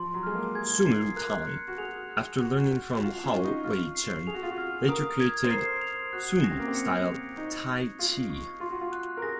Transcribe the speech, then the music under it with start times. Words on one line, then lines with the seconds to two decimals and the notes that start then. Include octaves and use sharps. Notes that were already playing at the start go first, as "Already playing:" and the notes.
Sun Lutang after learning from Hao Wei-zhen later created Sun style Tai Chi.
Already playing: F3 C6
0.14 F#3
0.23 G#3 F6
0.35 A#3
0.55 G#4 G#6
0.86 C7
1.16 A#4 F#6
1.47 C#7
1.68 F#4
1.78 G#4 F7
2.10 F#6
2.40 F#4 C#6
2.72 F6
2.95 F#4
3.03 F4 C7
3.24 C#4
3.33 F4 C#6
3.45 D#4
3.64 F4 F6
3.95 C7
4.27 G#4 F7
4.34 F#4
4.43 F4
4.51 F#4
4.58 F6
4.89 A#4 D#6
5.20 G#6
5.44 C5
5.51 A#4 C7
5.81 F7
6.13 F#4 F#6
6.44 C#4 A#6
6.51 C4
6.59 A#3
6.68 C4
6.75 C#7
7.06 F7
7.36 D#4 C#6
7.68 G#6
7.99 F4 C7
8.30 C#6
8.60 F4 C6
8.71 F#4
8.81 F4
8.92 F#6
9.17 A#4
9.22 G#4 A#6